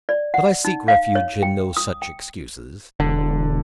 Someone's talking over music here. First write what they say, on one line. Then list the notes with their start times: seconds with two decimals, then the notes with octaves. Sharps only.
But I seek refuge in no such excuses.
0.09 D5
0.34 F#5
0.65 D#4
0.88 F5
1.15 C#5
1.43 G5
1.77 D#6
2.02 G5
3.00 E1 D3